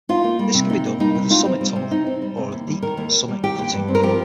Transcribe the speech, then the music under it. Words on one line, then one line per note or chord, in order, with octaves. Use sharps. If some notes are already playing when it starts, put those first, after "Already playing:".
This can be done with a summit tunnel or a deep summit cutting.
D#4 F4
A#3
G3
C3
D#4
A#3
G3 D#4
C3
D#4 F4
C4
G3
C3
D#4
C4
G3
C3
D#2
G3
D#3 A#4
D#2
D#2
G3
D#3 G4
D#2
G2
C4
A#4
F3 G4